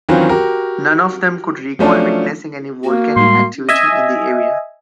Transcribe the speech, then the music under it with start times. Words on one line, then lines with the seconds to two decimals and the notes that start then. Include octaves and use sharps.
None of them could recall witnessing any volcanic activity in the area.
0.09 D#3 E3 F#3 C4 C#4 F4
0.29 F#4 G4 A#4
1.79 F3 F#3 A3 C#4 D4 F4
2.83 A#3 F#4
3.16 A2 G3 G#3 C6
3.69 D#5 E5 G#5